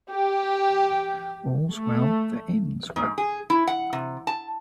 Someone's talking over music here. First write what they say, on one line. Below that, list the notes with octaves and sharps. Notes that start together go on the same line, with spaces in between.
All's well that ends well.
G4
A3
G#2
G#4
E4
F#5
C3
A5